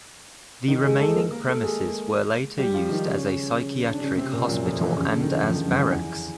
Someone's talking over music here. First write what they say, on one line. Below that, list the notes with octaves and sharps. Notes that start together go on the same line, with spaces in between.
The remaining premises were later used as a psychiatric hospital and as barracks.
D#3 D#4
G#3 G#4
A3 A4
A#3 A#4
A#3 A#4
A3 A4
G#3 G#4
G3 G4
F3 F4
D#3 D#4
C#3 C#4
D4
C#3 C#4
C3 C4
A#2 A#3
F#2 F#3
F2 F3
E2 E3
C#3
D3
D#3
E3
F2 F3
F2 F3
F#2 F#3
E2 E3
E2 E3